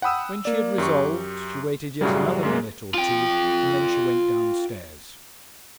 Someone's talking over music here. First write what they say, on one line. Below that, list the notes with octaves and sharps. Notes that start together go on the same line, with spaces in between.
When she had resolved, she waited yet another minute or two, and then she went down-stairs.
F#5 G5 B5 D#6 E6
A#3 D5
F#2 G4 C#6
F#2 A2 C#3 F#3 G3
F#2 G#3 A#3
F4 G5